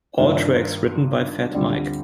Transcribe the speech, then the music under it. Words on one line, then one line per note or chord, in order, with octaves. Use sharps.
All tracks written by Fat Mike.
G2 D#3 A#3 D4 F4
D2 D3 G3 C4 F4